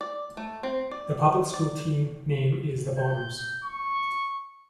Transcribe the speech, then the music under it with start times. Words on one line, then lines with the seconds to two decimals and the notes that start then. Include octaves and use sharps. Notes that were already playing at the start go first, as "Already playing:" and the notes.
The public school team name is the Bombers.
0.01 D5
0.37 A3
0.63 C4
0.91 D5
1.54 D5
2.99 G6
3.64 C#6